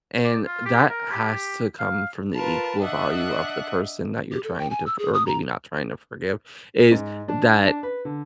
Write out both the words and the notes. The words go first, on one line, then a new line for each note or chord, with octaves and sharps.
and that has to come from the equal value of the person that you're trying to for or maybe not trying to forgive, is that
D5
F4
G4
A#4
G4
F5
F4 A#4 B4 A5
D4 D#5 E5 F#5 F#6
G4
A4
G5
G#5
E6
G#4
D#6
A#5
G#2
D4
D4
B4
D3